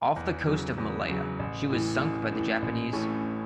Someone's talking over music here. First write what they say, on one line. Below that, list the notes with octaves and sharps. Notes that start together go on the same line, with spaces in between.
Off the coast of Malaya, she was sunk by the Japanese.
E2
C#3 F#3
E2
C#3 F#3
A1
A2 E3
A1
A2 E3
A1
A2 E3 A3 C#4